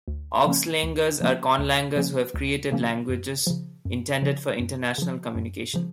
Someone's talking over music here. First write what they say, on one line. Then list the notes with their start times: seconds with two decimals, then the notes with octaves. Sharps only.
"Auxlangers" are conlangers who have created languages intended for international communication.
0.08 D2
0.45 C#3 F3 A#3 C#4
0.83 D2
1.21 C#3 F3 A#3 C#4
1.59 D2
1.96 C#3 F3 A#3 C#4
2.34 D2
2.72 C#3 F3 A#3 C#4
3.09 F#2
3.47 C#3 F3
3.85 F#2
4.22 C#3 F3
4.60 F#2
4.98 C#3 F3
5.35 F#2
5.74 C#3 F3